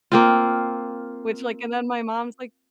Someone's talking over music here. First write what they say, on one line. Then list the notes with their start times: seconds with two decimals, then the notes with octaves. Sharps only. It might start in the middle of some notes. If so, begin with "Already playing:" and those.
Which, like, and then my mom's like
0.12 A#3 C4 F4